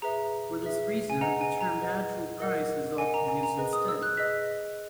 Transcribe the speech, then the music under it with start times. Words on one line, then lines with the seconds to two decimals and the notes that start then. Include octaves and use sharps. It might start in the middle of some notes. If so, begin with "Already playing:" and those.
For this reason, the term 'natural price' is often used instead.
0.02 G#4 B4 E5 A#5
0.62 G#4 B4 E5
1.10 G#5
1.21 G#4 B4 D#5 F#5 A#5
1.41 G#5
1.61 A#5
1.80 G#4 B4 D#5 F#5
2.40 A#4 D#5 F#5
2.98 A#4 D#5 F#5 G#5
3.14 A#5
3.28 G#5
3.43 A#5
3.58 G#4 B4 D#5
3.73 D#6
3.88 E6
4.03 F#6
4.17 G#4 B4 D#5 B6